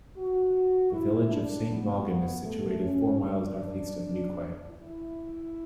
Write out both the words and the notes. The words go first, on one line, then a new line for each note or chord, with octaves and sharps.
The village of Saint Mawgan is situated four miles northeast of Newquay.
F#4
E4
D4
B3
A3
C#4
D4
E4